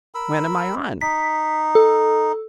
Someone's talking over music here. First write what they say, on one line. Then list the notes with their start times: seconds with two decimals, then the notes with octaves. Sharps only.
"When am I on?"
0.15 A#4 B5 E6
1.01 D#4 B6
1.75 A4